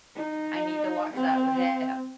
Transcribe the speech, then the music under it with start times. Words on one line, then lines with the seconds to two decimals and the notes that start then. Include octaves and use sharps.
I need to watch that with him.
0.15 D#4
1.14 C4